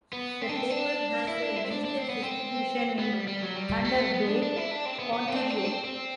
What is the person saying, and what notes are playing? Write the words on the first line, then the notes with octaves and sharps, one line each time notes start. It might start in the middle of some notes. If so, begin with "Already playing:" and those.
The paper has a limited distribution in Thunder Bay, Ontario.
B3
C4
D4
C4
D4
E4
D4
E4
C4
D4
D4
C4
B3
C4
B3
G3
G3
F#3
G3
A3
B3
D4
D4
E4
D4
C4
B3
B3
C4
D4
C4
D4
C4
D4
C4
C4